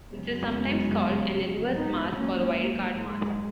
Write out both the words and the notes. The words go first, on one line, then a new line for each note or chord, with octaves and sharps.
This is sometimes called an inverse mask or a wildcard mask.
F#2 C#3 F#3 G#3 B3
G#2 F#3 B3 D#4
A#3 C#4
A#3
G#3